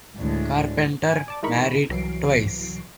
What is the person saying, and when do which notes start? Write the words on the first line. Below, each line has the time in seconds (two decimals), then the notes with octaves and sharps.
Carpenter married twice.
0.18 D2 A2 G#3 D4
1.13 G#5
1.28 D5 A5 D6
1.43 E3 G#3 D#4 A#4 B5 C#6
1.89 C2 E3 F#3 C7 D7